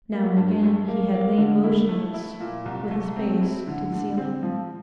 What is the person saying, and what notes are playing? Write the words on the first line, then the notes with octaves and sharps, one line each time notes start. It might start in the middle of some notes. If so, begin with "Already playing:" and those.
Now and again he had lain motionless, with his face to the ceiling.
A#3
G2
A3
A#3
A#3
D3
E4
A3
E4
A#2
C2
A3
C4
E4
D3
D3
C4
F3